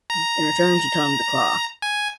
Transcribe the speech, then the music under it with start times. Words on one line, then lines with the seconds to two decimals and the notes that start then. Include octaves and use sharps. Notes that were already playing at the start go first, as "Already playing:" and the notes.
In return, she taught him the 'Claw'.
0.10 A#5
1.82 G#5